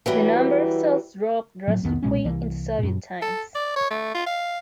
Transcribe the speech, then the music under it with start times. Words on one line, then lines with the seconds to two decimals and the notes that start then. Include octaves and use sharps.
The number of cells dropped drastically in the Soviet times.
0.06 E3 F#3 G3
1.68 A2 F#3 A#3 C4
1.83 C2 F2 D#3 B3
2.03 B1 A#2 G#3 C#4
2.24 C2 E3 A#3
2.79 F#2 A#2
3.22 A4
3.55 D5
3.76 C#5
3.90 A3
4.14 F4
4.26 F5